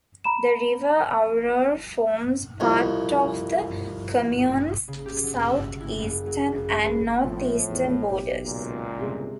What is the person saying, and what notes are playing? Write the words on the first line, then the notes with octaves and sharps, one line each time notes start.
The river Auroue forms part of the commune's southeastern and northeastern borders.
A#5 B5 E7
C2 F2
C#3
G4
F#3
E5
E4
F#1
F#3
F#1
G#3
B4
A2 F3 C4
E2
B1 G4
C#2 A#2
G1 C3 G#3